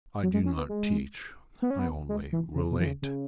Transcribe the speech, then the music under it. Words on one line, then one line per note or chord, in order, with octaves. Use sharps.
I do not teach; I only relate.
F#3
G#3
C#4
B3
G#3
B3
C#4
B3
G#3
E3
C#3
B2
E3
C#3
C#3